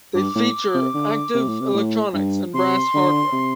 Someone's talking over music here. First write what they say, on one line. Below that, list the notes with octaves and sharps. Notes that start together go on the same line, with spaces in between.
They feature active electronics and brass hardware.
G2 D6
A2
C3
D3
C3
A2
C3
A2
G2
C3 C6
D3
C3